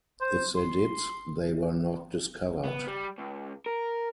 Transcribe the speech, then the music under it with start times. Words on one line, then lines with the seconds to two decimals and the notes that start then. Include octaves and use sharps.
If they did, they were not discovered.
0.21 C5
0.56 C6
2.65 B3
2.88 G3
3.18 C#2
3.66 A#4